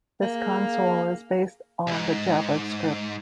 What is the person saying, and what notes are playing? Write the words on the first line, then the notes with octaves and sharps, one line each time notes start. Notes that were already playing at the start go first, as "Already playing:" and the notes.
This console is based on the JavaScript.
A#3 G#4 F5
C2 G#2